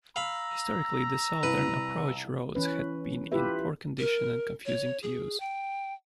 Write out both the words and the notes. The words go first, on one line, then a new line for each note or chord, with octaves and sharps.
Historically, the southern approach roads had been in poor condition and confusing to use.
F5 A#5 B5 E6
C2 B4
E3 C#4 B4
E4 F4 G4 B4 E5
A#4
C#5
G#4
G5